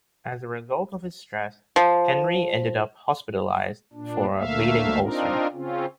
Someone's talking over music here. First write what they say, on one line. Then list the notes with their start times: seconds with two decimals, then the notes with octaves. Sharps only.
As a result of his stress, Henry ended up hospitalized for a bleeding ulcer.
1.76 F3
3.93 A#2 D4
4.36 D2 A3 A#3 E5 F5
5.00 C4 D4 D#4 F4 A#4
5.53 C#3 C4 C#4 F4